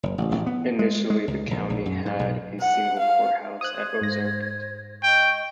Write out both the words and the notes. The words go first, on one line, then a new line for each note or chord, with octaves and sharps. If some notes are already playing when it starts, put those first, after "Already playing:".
Initially, the county had a single courthouse at Ozark.
F#1
A1
A1
B3
G#3
G#3
C#2
A#1
A#1
F#2
G#2
B1
F#5
F5
C5 D#6 F#6 G#6
G#2 A#6
D#5 G5 C#6